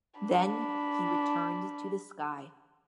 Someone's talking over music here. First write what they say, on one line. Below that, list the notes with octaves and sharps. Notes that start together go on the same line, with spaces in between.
Then he returned to the sky.
D4 B5